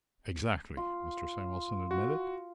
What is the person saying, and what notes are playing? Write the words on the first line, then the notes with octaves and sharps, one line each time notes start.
"Exactly!" Mr. Samuelson admitted.
F4
F#4